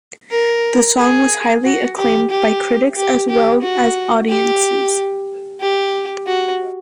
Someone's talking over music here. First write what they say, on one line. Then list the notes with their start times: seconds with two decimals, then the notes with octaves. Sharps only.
The song was highly acclaimed by critics as well as audiences.
0.31 A#4
0.98 G#4
1.64 F#4
1.97 G4
2.30 G4
2.96 G4
3.29 G4
3.62 F#4
4.29 G4
5.61 G4
6.27 F#4